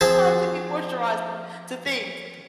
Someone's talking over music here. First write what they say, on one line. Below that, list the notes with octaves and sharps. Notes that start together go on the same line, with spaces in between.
I have to be moisturized, to to think.
F3 C4 G#4 A5